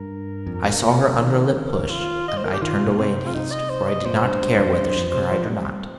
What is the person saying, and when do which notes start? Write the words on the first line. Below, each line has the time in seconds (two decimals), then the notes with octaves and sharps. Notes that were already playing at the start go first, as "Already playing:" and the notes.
I saw her under-lip push, and I turned away in haste, for I did not care whether she cried or not.
Already playing: G2 A#4
0.47 F2
0.65 G2
0.83 A#2
1.01 C3
1.19 D#3
1.90 F4
2.28 D#5
2.37 C5
2.45 A#4
2.54 G4
2.61 D#3 F4
2.74 C3
2.86 A#2
2.98 C3 C4
3.27 F4
3.34 D#4
3.52 D#5
3.70 C5
3.88 D#5
4.05 A#2 C5
4.24 G2
4.42 G2
4.59 F2
4.78 G2
4.95 F2
5.13 C3
5.31 F3
5.44 D#4
5.49 G3 C4